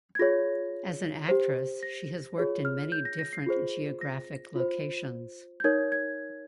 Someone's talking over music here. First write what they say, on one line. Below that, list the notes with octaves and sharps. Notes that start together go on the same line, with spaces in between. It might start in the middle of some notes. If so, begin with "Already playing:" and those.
As an actress she has worked in many different geographic locations.
G#6
F4 G#4 C#5 A#6
G4 C5
A#6
F4 G#4 C#5
F6
G6
A#6
A#6
C7
F4 G#4 C5
A#6
F4 C5
G6
D#4 A#4 C#5 G#6
G#6